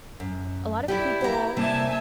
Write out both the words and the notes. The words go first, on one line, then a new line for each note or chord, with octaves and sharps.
a lot of people,
F#2
E4 G4 D5 E5
B3 G4 A#5
C3 G3 A#3 E5 G#5 A5